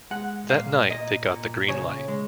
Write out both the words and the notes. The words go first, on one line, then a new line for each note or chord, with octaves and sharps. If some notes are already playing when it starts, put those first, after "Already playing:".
That night they got the green light.
G#3 F#5
A#2 F5
A#2 D#5
A#2
C#3 C#5
G#3